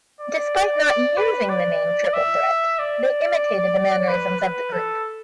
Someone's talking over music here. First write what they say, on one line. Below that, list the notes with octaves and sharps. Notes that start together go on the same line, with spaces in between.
Despite not using the name Triple Threat, they imitated the mannerisms of the group.
D5
D5
B4
D5
E5
D5
B4
B4
A4